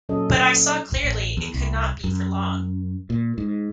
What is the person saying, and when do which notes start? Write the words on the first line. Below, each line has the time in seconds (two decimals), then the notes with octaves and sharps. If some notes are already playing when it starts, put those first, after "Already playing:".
But I saw clearly it could not be for long.
0.09 A#2 F#3 C#4 A4 D#5
1.03 A1
1.37 E2
1.54 C2
2.04 F#2
3.10 A#2
3.38 G#2